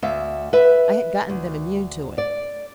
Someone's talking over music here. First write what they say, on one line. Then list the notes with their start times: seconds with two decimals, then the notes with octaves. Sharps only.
I had gotten them immune to it.
0.02 D2 E5 F5
0.53 B4 E5
1.30 D2
2.18 D5